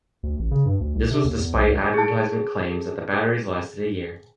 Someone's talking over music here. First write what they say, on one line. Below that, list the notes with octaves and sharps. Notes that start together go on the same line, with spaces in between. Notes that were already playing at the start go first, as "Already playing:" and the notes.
This was despite advertisement claims that the batteries lasted a year.
D2
A1
C#3
G2
D2
C2
C3
D#2
E2
B1
C#2
G#4 A5